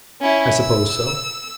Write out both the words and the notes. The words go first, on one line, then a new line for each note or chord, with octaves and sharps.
"I suppose so."
C#4 E4
E6